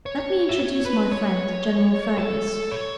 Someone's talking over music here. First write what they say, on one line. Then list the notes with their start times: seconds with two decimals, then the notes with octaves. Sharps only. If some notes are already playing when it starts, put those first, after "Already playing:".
Let me introduce my friend, General Fergus.
0.06 C#5
0.49 E5
0.59 C#5
0.85 B4
1.12 C#5
2.18 A4
2.72 C#5